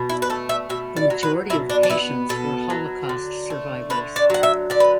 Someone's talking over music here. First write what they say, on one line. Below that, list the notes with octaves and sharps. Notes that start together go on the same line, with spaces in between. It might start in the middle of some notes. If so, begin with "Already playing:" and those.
The majority of patients were Holocaust survivors.
Already playing: B2
E4
B4
A3 A4
E5
B2 E5
D5
F#3
B4
B2 E4
D4
D4
B3 E4
B2 A4
F#3
D3
A3
D3 B4
D5
F#3 F#5
E5
D3 D5
B4